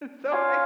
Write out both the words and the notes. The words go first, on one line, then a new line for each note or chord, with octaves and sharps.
so I
C#4 F4 C#5 F5